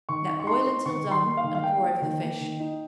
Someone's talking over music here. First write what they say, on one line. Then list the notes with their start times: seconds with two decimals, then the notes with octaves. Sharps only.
Let boil until done and pour over the fish.
0.09 D#3 C#6
0.28 D#4
0.40 C#6
0.47 D#4 C6
0.67 D#4
0.86 D#3 C#6
1.05 D#3
1.11 C6
1.25 A#3
1.37 F5
1.44 D#3
1.55 F5
1.63 A#3 G5
1.82 A#3
2.02 D#3
2.21 A#3
2.41 D#3
2.60 D#4